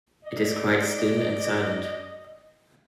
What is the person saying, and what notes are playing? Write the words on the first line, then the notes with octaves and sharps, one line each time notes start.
It is quite still and silent.
D5 D#5